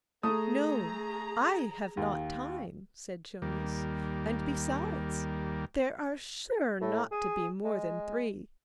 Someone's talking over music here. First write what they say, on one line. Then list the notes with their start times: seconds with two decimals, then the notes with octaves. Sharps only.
'No, I have not time,' said Jonas, 'and besides, there are sure not to be more than three.
0.23 A3 G#4 A#5 D#6
1.97 D#2
3.42 D#2 G3 A#3
6.80 A2
7.11 G#4
7.65 G#3